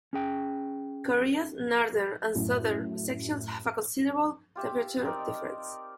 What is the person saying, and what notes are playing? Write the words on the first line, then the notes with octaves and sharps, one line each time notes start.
Korea's northern and southern sections have a considerable temperature difference.
C#4 G#4 G5
F#2 A2
F4 G4 E5
C4 D#4 A#4 D5